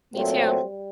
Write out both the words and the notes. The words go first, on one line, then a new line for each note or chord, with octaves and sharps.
Me too.
A#2 F#3 A3 C4
G3